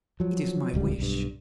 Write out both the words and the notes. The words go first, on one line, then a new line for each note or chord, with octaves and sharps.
It is my wish.'
F3 F#3
D1 C#2 G3
B1 G2